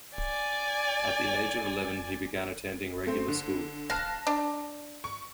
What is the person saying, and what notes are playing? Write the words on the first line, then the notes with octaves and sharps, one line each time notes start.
At the age of eleven, he began attending regular school.
D5 G#5
A3 C4
D3
F5 A5 F#6 A#6
D4
C#6